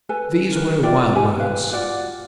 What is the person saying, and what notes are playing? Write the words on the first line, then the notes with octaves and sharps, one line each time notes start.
These were wild words.
A4 B4 G#5
A#4 B4
E4 F4 D5 G5
D#4 G4 G5 G#5
B4 F5
F4 F#4 D5 F#5